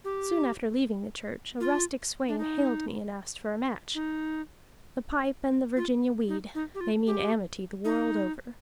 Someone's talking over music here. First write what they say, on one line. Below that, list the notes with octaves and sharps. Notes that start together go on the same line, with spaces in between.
Soon after leaving the church a rustic swain hailed me and asked for a match. The pipe and the Virginia weed--they mean amity the world over.
G4
F4
D4
D#4
D#4
F4
D#4
D#4
G4
F4
G4
D#4